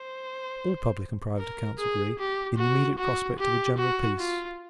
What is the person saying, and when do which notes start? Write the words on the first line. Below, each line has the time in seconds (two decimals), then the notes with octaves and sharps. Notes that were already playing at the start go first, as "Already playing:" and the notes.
All public and private accounts agree, in the immediate prospect of a general peace.
Already playing: C5
1.38 A#4
1.79 G#4
2.19 G4
2.58 F#4
2.98 F#4
3.38 G4
3.78 F#4
4.19 F4